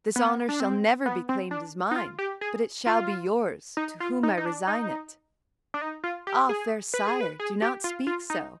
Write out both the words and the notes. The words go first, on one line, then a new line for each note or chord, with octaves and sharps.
This honour shall never be claimed as mine, but it shall be yours, to whom I resign it." "Ah, fair sire, do not speak so.
B3
D4
C4
B3
C4
D4
D#4
F4
G4
G#4
F4
D#4
F4
D#4
D#4
D4
D#4
D4
D#4
F4
G4
G#4
B4
G#4
B4
G#4
G4
F4
F4
D#4